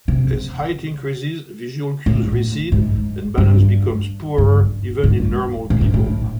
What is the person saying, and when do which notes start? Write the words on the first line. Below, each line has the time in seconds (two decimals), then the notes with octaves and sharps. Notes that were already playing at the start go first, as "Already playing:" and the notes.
As height increases, visual cues recede and balance becomes poorer even in normal people.
0.08 C3
2.06 A2
2.72 G#2
3.38 G2
4.38 G2
5.03 G#2
5.70 A2
5.81 G#2
5.94 A2